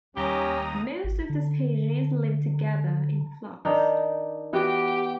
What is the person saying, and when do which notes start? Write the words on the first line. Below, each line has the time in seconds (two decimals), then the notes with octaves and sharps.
Most of the species live together in flocks.
0.17 D#2 G3 C#4 G4 A#5 D#6
1.04 G#1
1.29 D3
3.65 D#3 D4 D#4
4.53 E3 B3 F#4 G4